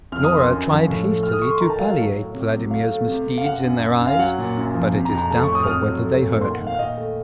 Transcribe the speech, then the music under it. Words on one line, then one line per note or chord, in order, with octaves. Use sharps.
Norah tried hastily to palliate Vladimir's misdeed in their eyes, but it is doubtful whether they heard her.
F2 F6
D#6
D#3
C6
F#2
F3
A2
A3
A3 F6
D#6
A3 C#6
C6
D#3 A#5
A5
F#3 F5
F5
A2
A2
C3
F#3
A3 F5
A3
C3
C3
F5
F#2 F#5
F#2
F#2
F#2
F5
F#3 F#5
A#2
F#2
F3
C3
A#5
F2
A#5
A3 A5
C#6
A2
D#6
F6
F2 D#6
F#3
A3
A#2
D#3 C6
F#5
D#3
F5
A#2 D#5
A3